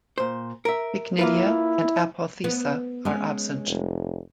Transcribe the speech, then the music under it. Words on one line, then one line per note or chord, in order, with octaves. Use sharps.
Pycnidia and apothecia are absent.
A#2 C5
A#4 E5
A#3 E4 F4 B4
B3
G#3 C#4
F1